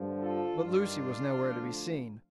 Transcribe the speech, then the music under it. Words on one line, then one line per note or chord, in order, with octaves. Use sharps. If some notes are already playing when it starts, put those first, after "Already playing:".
But Lucy was nowhere to be seen.
Already playing: G2 D3 F3
F4 A4
G2 D#3 D4 F4
D2 D3 F3